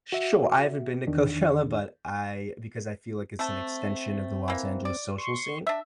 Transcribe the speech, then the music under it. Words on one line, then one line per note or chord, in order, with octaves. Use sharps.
sure, I haven't been to Coachella, but I because I feel like it's an extension of the Los Angeles social scene,
F#4 E5
E2 D#3 D4
A3 C4 A5
E3 A#3
D5
C6 C#6
D4 E5